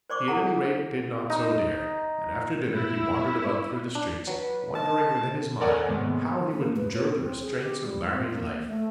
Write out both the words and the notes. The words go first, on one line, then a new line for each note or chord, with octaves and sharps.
He at any rate did not so dare;--and after dinner he wandered about through the streets, wondering within his mind how he would endure the restraints of married life.
C5 D5 C#6 D6
E4 G#4 A4 F#5 A#5
D#4
E4
D4
F#3 B4
D#5 A5
A4 A#4 C#5 D5 F#5 G#5
G#2 C3 D#3 G#3 A#3 B3
A#3
B4
C#5
C4
G#4
G4
G3
C4
A#3
A#3
A3